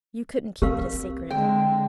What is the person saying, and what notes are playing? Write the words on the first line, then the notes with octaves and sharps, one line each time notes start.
You couldn't keep it a secret.
C4 G4 A#4 F5
D3 G#3 G5